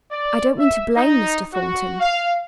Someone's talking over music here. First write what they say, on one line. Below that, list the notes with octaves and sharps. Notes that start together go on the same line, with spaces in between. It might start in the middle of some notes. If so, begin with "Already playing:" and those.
I don't mean to blame Mr. Thornton.
D5
E5
D#4
F#4
F5